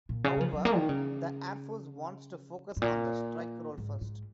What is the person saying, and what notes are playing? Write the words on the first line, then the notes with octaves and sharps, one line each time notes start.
However, the Air Force wants to focus on the strike role first.
A#2
C#3
F#3
F3
F#3
A#3
D#3
C#3
G#2
A#2
G#2
G#2